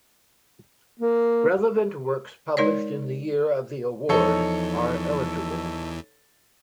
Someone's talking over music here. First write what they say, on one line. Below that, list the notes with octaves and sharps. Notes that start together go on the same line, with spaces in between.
Relevant works published in the year of the award are eligible.
A#3
G#3 D#4 A#4 C#5 D5
E2 E3 F3 D#4 A4 C5 C#5